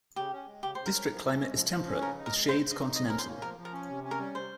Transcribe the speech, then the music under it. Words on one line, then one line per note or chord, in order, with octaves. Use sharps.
District climate is temperate, with shades continental.
C#3 G4
C#4
G#3
C#3 G4
C#3 C5
A#4
C#4
F3
C#4
G#3
F3
F3
C#4
C#3 A#4
D#4
A#4
G#3
C#3 C5
C#3
D#5
D#4
F3 D#5
C#4 A#4
C5
A#3
F3 A#4
F3
A#4
C#4
C3
C#4
A#4
G3
C3 C5